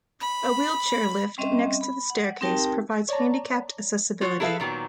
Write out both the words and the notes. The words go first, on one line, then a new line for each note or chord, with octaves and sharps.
A wheelchair lift next to the staircase provides handicapped accessibility.
B5
G3 C4 C#4 D#5 E5
B5
F#5
C4 D#4 G4 A#4 G5 A5
C#5 D5 A5 A#5
F4 F#4 C#5
E4 G#4 A4 B4 E5 F5
A#2 D#3 F#3 B3